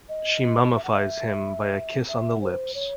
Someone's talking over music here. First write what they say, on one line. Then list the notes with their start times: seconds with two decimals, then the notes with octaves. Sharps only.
She mummifies him by a kiss on the lips.
0.09 D#5
0.75 E5
0.84 F#5
0.92 E5
2.08 E5
2.41 C5
2.75 C#5